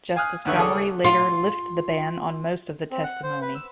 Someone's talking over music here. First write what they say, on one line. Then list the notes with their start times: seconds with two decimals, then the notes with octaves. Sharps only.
Justice Gomery later lifted the ban on most of the testimony.
0.16 F5 G#5 D#6 F6 F#6
0.45 D2 D3 D#3 B4 C#5 E5
0.58 C#2 G#4 A4 C#5 D5 D#6
1.04 F4 C6
2.91 C4
3.04 F#5
3.23 C5
3.41 B4
3.55 E6